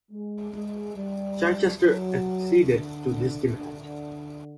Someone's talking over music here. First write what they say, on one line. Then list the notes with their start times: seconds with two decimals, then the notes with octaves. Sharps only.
Chichester acceded to this demand.
0.11 G#3
0.54 G#3
0.96 G3
1.81 F#3
2.66 D3
3.50 D3